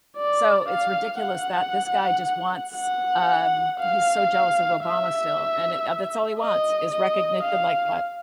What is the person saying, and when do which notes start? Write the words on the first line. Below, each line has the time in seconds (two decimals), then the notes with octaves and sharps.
So it's ridiculous that this guy just wants, um, he's so jealous of Obama still, and, uh, that's all he wants is recognition like that.
0.17 D5
0.69 F5
1.21 F#5
2.76 F#5
3.80 F5
4.84 E5
6.40 D#5
6.91 D#5
7.43 F5